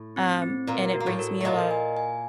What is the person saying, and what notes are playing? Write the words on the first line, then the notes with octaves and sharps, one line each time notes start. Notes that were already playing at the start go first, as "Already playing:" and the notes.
um, and it brings me a lot
Already playing: A2
C4
C4
A#2 A#3 A#4
F#4
A#3
A2 A3
A#4
A#2 A3 A#3 D#5
G#5
G#5